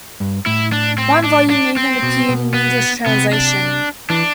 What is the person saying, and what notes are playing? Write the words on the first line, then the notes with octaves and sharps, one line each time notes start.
One volume even appeared in English translation.
G2
A2 E4
D4
C4
D4
D4
C4
B2
B2
B3
C3 B3
D4
E3 D4